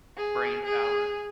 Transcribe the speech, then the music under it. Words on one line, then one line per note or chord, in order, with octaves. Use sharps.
brain power.
G#4
G#4